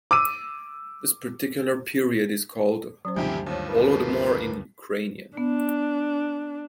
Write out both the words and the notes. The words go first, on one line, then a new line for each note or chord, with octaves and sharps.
This particular period is called "Holodomor" in Ukrainian.
D6 E6 D#7
F#3 C#4 C5
D2 G2 C3 D#3 F3 E4 G4 G#5
D#2 F3 C5 C#5
F3 A#3 B4
B3 D4